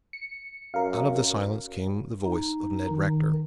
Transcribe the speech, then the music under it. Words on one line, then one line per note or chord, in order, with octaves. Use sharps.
Out of the silence came the voice of Ned Rector.
C#7
F#2 A#4 F5
D#4
D#3